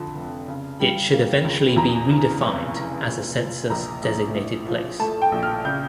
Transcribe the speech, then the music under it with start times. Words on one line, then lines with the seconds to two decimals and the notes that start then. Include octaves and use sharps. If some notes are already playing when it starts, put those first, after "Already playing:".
It should eventually be redefined as a census-designated place.
Already playing: F2 D3 F3 A5
0.15 F1
0.48 C#3
0.80 G3
1.13 A#3
1.44 C#2
1.76 E2 A#5
2.09 C#3
2.41 F1 C#6
2.74 F1
3.06 A#2
3.38 F3
3.70 A#1 A#5
4.03 A#1
4.35 A2
4.68 F3
4.99 A3 A5
5.22 G5
5.32 A#1
5.43 F6
5.65 C#3 G6